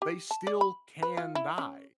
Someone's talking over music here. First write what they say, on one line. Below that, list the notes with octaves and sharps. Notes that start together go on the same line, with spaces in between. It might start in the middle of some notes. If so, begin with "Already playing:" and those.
they still can die.
G4
A5
D5
B5
B4
F4
E4
C#4